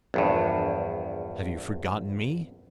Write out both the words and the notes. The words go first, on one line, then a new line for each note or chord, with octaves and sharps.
Have you forgotten me?
A#1 E2 G2